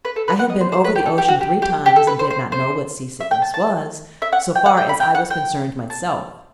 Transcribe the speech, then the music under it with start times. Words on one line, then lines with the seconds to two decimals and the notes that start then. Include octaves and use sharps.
I had been over the ocean three times and did not know what seasickness was, so far as I was concerned myself.
0.05 B4
0.16 A4
0.28 B4
0.39 F#5
0.50 D#5
0.61 C5
0.72 C5
0.84 B4
0.96 G4
1.06 A4
1.18 G4
1.28 F#4
1.41 G4
1.62 G4
1.86 G4
1.96 A4
2.07 B4
2.19 C5
2.30 C5
2.52 C5
3.21 E5
3.31 G5
3.42 A5
3.54 A5
4.22 E5
4.32 F#5
4.55 G5
4.66 F#5
4.77 G5
4.89 B5
5.00 G5
5.15 F#5
5.30 G5
5.90 A5